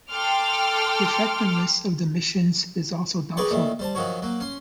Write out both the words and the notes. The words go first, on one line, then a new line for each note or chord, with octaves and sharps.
The effectiveness of the missions is also doubtful.
A4 G5 C6 D6 F6
G#4 A#4 B4 C#5 D5 G5
A#2 D#3 A3
G3 C5 A5
D#3 F3 F#3 F#4 C#5
F#3 A#3
C#4 C6